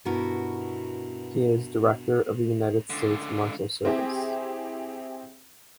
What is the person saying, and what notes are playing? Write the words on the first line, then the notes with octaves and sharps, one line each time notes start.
He is Director of the United States Marshals Service.
G2 B2 E4 F#4 A#4
C#2 D3
C4 E4 G4 G#4